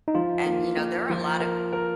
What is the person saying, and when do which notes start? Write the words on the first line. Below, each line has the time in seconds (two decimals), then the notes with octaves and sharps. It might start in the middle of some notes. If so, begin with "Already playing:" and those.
and, you know, there are a lott g
0.08 D#4
0.15 F3 F4
0.46 A#3
0.77 A#3
1.10 F3
1.40 A#4
1.73 A#4